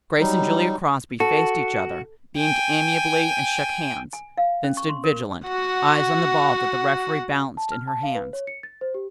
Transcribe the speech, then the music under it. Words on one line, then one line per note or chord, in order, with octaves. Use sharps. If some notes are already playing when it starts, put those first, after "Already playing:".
Grace and Julia Crosby faced each other, beamed amiably and shook hands, then stood vigilant, eyes on the ball that the referee balanced in her hands.
F#3 G3 D#4
F#4 A4
G5 G#5
G#5
F5
C#4
C#6
C6
A#4
F#4 F#5
A5
F6
A5
F5
B4
C#5
C#7
A6
C5
G4